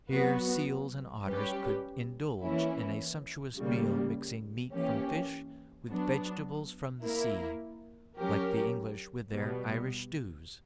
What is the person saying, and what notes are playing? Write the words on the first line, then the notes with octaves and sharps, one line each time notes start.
Here seals and otters could indulge in a sumptuous meal, mixing meat from fish with vegetables from the sea, like the English with their Irish stews.
F#3 B3 F#4 B4
G3 C#4 G4 B4
E3 A#3 C#4 E4
C#3 G3 A#3
E3 A#3 C#4 G4
F#3 B3 D4
A#3 E4 A#4
F#3 C#4 G4 A#4
B2 G3 B3